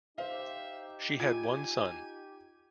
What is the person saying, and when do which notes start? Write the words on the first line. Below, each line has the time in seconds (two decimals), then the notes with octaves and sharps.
She had one son.
0.18 D#4 G4 C5 E5 F5
1.20 F4 G#5 G#6 D7